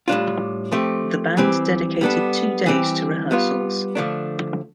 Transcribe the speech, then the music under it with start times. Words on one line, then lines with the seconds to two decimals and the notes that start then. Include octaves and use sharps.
The band dedicated two days to rehearsals.
0.08 A2 G3 D4 F4
0.72 F3 A3 C4 G4
1.37 E3 G3 C4 G4
2.01 G3 B3 D4 A4
2.66 E3 G3 C4 G4
3.31 G3 B3 F4
3.95 D3 F3 A3 D4